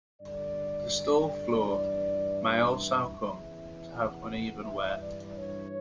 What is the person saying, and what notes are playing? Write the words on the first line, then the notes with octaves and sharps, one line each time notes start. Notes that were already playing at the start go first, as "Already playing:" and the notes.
The stall floor may also come to have uneven wear.
G2 D3 D5
G2 E3 D5
E5
E2 C#3 E3
F#5
G2 E3 E5
D5
C#5